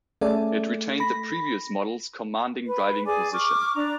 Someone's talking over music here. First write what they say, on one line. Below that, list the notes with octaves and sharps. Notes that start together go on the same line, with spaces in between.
It retained the previous model's commanding driving position.
A3 C#4 G#4 D5
B5 A#6
B4
G#4 D5 G#5 D6
C#6 D6 F6
D4 A#5